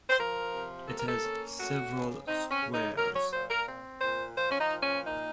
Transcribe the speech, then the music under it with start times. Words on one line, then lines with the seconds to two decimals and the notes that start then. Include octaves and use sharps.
It has several squares.
0.09 C5
0.18 F3 A#4
0.54 C3
0.88 A#3 A4
0.98 A#4
1.08 A4
1.23 C#4
1.58 A3 F#4
1.93 C#3
2.27 C4 D#4
2.51 C#4
2.62 C#3
2.74 D#4
2.97 F#3 A#4
3.15 C#5
3.32 A#2 C5
3.50 A#4
3.67 C4
4.01 A#2 C5
4.36 F3 C5
4.50 C#4
4.59 D#4
4.71 A#2
4.83 C#4
5.06 A#3 D#4